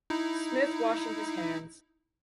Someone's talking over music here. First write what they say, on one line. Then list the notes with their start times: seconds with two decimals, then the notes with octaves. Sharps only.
Smith washing his hands!
0.10 D#4 E4